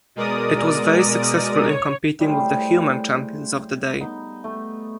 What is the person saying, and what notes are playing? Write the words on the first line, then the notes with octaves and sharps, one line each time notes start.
It was very successful in competing with the human champions of the day.
B2 G#3 A#4 D5 D#6
C#5
A2 G3 G#4 C5
B3 D#4
A3